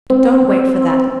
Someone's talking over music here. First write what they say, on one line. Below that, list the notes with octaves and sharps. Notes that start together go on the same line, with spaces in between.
But don't wait for that.
C4